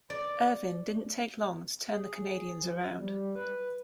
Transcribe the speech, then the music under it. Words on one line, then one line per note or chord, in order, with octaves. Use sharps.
Irvin didn't take long to turn the Canadiens around.
D5
G#4
F3
G3
B4